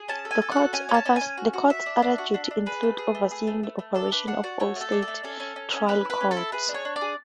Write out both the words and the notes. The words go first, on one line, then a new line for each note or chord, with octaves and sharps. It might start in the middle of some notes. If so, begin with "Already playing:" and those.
The Court's other duties include overseeing the operations of all state trial courts.
Already playing: G#4
C#4 A5
A4
G#5
A4
F#4 F#5
C#4 G#5
C#4
A5
C#4
G#5
C#4
F#4
F#4
F#4 E5
D4
D4
F#4
D4
D4
G#4 B4
A3
G#4
A3
G#4
A3
A3
A3
D4 A4
D4 B4
D4 F#5
F#4 D5
A3 C#5
A3 A4
D4
A4
A3
C#4 A4
C#4
C#4
C#4
C#4 B4
E4 B4
C#4
A4
E4
G#4 B4
D4
C#5
D4
D5
G#4